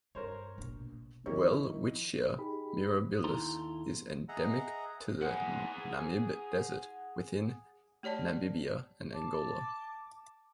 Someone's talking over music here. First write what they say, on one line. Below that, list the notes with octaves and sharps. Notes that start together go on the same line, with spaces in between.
"Welwitschia mirabilis" is endemic to the Namib desert within Namibia and Angola.
G2 A#4 C5 C#5
A#1 B2
D#3 F3 D#4 E4 G4 A#4 C#5
D#4 G4 G#4 B5
D#2 D#4 E4 A4 A#5 C6
G#4 D#5 E5 F#5 A#5
G#4 F#5
A3 G4 C#5 D5 A5
A5 D6